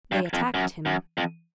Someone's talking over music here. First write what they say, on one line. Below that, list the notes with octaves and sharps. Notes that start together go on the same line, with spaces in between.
They attacked him.
G2
F2
F#2
F#2
F2